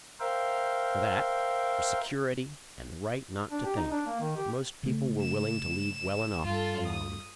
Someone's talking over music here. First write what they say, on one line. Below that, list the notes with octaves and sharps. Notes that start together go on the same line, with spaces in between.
For that, for security and the right not to think, most people were willing to leave well enough alone.
A#4 C5 E5 F5 G5
D4
G4
D#4
D4
A#3
D#3
G4
C#3 A3
E7
G2 F4 A4
D#6